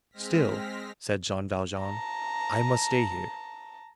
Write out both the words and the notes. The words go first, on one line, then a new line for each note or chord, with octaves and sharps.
"Still," said Jean Valjean, "I must stay here."
G#3 C4 F6 A#6 B6
A5 A#5